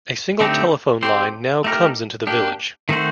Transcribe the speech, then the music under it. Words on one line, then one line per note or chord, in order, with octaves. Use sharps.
A single telephone line now comes into the village.
D3 A3 C4 D#4 G4
C4 G4 C5
A3 D#4 G4 A#4
A#3 D4 G4
D#3 A3 C4 F#4 C5